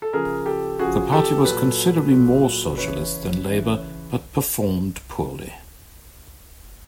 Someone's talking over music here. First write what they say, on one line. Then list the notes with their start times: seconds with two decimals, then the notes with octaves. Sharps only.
The party was considerably more socialist than Labour, but performed poorly.
0.02 A4
0.13 C#3 F3 G#4 A#4
0.46 G4 A4
0.79 C#3 F3 F#4 G#4
1.12 G4 A4
1.45 A#2 F#3 A4 B4
2.12 A#2 F#3
2.78 C#3 E3 B4 C#5
3.44 C#3 E3